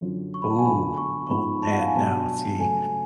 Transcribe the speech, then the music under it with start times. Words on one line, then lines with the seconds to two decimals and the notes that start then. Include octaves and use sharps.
Ooh, oh man, now, see
0.01 F#2 D3 F#3 C#4 F4
0.34 C#6
0.42 B5
0.50 A5
0.58 G#5
0.66 D3 F#3 B3 D4 F4 B5
0.98 C#6
1.27 C#6
1.30 G#2 F3 G#3 B3 B5
1.62 A5
1.71 F#5
1.79 F5
1.87 G#5
1.95 B2 F#3 B3 D4 A5
2.59 C#3 F#3 A3 G#5